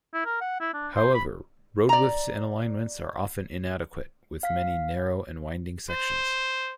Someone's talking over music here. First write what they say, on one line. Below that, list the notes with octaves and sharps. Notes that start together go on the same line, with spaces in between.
However, road widths and alignments are often inadequate, with many narrow and winding sections.
E4
A#4
F#5
E4
D4
C5
B5
D5 A#5
F5 B6
C5